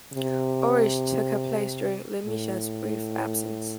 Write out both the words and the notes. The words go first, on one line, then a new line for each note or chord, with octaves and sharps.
Orish took her place during LeMisha's brief absence.
C3
A2